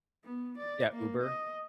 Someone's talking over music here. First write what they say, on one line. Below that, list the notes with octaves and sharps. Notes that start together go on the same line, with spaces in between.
Yeah, Uber,
B3
D5
A#3
D#5